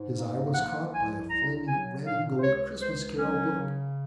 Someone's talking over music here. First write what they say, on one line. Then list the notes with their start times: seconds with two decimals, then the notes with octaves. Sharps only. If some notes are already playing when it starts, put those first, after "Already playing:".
His eye was caught by a flaming red-and-gold Christmas-carol book.
Already playing: G#2
0.16 A#3
0.54 F3 F#5
0.91 C2 G#5
1.30 C2 A#5
1.67 F#3 G#5
2.04 A#2 F5
2.37 C5
2.42 C#2 C#5
2.80 C#2 C5
3.17 F#3 C#4
3.55 C#3